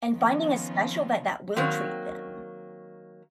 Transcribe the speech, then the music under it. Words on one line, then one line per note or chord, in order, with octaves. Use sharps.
And finding a special vet that will treat them.
D#3 F3 B3 C#4 F4
D#3 F#3 A#3 C4